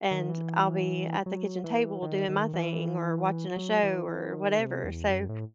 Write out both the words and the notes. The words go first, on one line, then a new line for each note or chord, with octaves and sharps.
and I'll be at the kitchen table doing my thing or watching a show or whatever, so
D#3
E3
F#3
E3
D#3
D#3
E3
F#3
E3
E3
D#3
C3
E2
F#2
A2